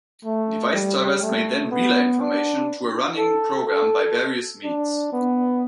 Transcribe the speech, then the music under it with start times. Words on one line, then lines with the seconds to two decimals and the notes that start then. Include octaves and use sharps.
Device drivers may then relay information to a running program by various means.
0.25 A3
0.74 G3
1.22 A3
1.71 B3
2.20 D4
3.18 A4
3.67 A4
4.64 D4
5.13 B3